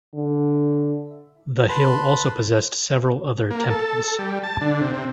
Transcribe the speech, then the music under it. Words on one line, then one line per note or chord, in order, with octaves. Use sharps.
The hill also possessed several other temples.
D3
B4 A5 B5 C6
A#3
A4
A4
G3
A5
D3
C3
C3